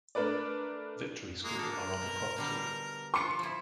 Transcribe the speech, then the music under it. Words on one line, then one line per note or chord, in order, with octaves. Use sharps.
Victory School are on the property.
A3 D4 A#4 B4 D5
G#3 A#3
D4 A4 A#4
B2
B2 D3 G3
F3 D4 F4 C6 C#7
F3 E4